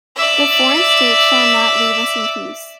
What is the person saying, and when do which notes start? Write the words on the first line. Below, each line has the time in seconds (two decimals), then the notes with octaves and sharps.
The foreign states shall not leave us in peace.
0.16 D5 E5